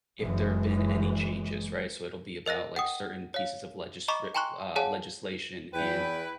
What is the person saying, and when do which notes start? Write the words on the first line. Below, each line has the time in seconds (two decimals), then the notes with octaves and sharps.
if there have been any changes," right? So it'll be about, like, certain pieces of legisri uh, legislation in
0.19 F#1 F#2 E3 G#3
2.46 A#4 D#5 F#6 A#6
2.76 F#5 G5 D#6
3.34 C#5 F5
4.08 D#5 A#5 B5 C#6 D6
4.35 G5 G#5 A#5 C6 C#6 F#6
4.76 G#4 C#5 F5 F#5 G#5 A5
5.74 E2 E4 B4 G5